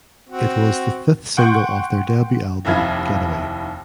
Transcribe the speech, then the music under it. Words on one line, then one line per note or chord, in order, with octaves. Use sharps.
It was the fifth single off their debut album "Getaway".
C4 F#4
F#5 G5 C6 C#6 F#6 G6
F1 D#2 E4 F5 G#6